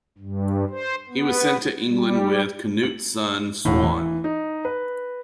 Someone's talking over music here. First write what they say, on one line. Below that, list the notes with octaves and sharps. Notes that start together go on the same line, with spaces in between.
He was sent to England with Canute's son Sweyn.
G2
C5
B3
G3
F#7
E1 A2
E3
D#4
B4